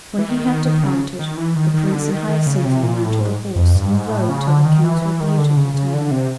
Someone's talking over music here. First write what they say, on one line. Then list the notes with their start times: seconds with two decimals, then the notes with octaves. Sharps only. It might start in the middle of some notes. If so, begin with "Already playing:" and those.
When he had departed, the Prince and Hyacinthia mounted the horse and rode till they came to a beautiful town.
0.18 E3
0.29 D#3
0.46 D#3
0.65 D#3
0.83 C#3
1.19 D#3
1.37 E3
1.56 D#3
1.74 D#3
1.92 D3
2.10 D#3
2.29 D#3
2.47 C#3
2.65 C3
2.83 A#2
3.02 A2
3.20 G#2
3.56 F2
3.75 G2
3.93 G#2
4.10 A2
4.29 C#3
4.48 D3
4.65 D#3
4.84 E3
5.02 E3
5.20 D#3
5.38 D3
5.57 C#3
5.74 C#3
5.94 D3
6.11 C3